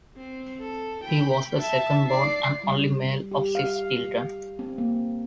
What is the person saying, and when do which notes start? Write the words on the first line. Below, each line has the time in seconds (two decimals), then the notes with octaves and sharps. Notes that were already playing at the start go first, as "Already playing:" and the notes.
He was the second born and only male of six children.
0.17 C4
0.60 A4
1.04 G5 B5
1.57 E5 A5
2.08 D5 C7
2.64 G3
3.32 G4
3.55 F5
4.59 C4
4.78 A#3